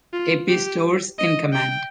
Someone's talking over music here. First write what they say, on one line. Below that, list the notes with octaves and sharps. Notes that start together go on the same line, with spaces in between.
A. P. Storrs in command.
F4
G4
D#5
G5